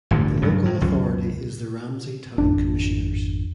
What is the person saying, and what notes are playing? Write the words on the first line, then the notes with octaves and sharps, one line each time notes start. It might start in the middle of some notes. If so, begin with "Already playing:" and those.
The local authority is the Ramsey Town Commissioners.
A1 D2 G2 A#2
G2 C#3 F#3
A2
C#2 F#2
G#1 F2 D4